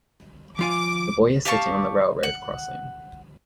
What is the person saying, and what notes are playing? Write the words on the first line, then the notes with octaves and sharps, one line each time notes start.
The boy is sitting on the railroad crossing.
F3 F4 G#5 D6
G4 F5 A5 C#6
F#5